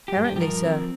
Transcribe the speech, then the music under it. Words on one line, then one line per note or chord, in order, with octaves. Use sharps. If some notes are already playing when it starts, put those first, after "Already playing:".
"Apparently, sir."
G4
G2
G4
G4
F3 A#4
C4